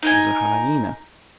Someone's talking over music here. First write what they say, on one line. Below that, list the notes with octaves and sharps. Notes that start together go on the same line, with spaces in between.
It was a hyena.
D#4 A#4 G#5